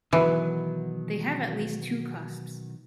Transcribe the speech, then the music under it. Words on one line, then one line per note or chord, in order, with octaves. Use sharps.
They have at least two cusps.
B2 D#3 E3 F#3